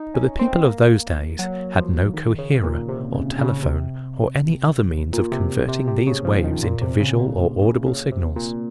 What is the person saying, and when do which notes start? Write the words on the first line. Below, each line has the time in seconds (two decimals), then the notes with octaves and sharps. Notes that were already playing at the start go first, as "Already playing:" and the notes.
But the people of those days had no "coherer" or telephone or any other means of converting these waves into visual or audible signals.
Already playing: D#4
0.14 C#4
0.39 C4
0.64 A#3
1.39 F#3
1.76 F3
2.14 D#3
2.38 C#3
2.63 A#2
2.89 C3
3.13 C#3
3.39 C#3
3.63 C3
5.13 A#2
5.32 C3
5.69 C3
5.88 C3
6.07 C#3
6.25 F3
6.44 D#3
6.63 A#2
6.81 C3
7.00 C#3
7.18 A#2
7.62 C#3
7.86 C#3
8.12 C3
8.36 A#2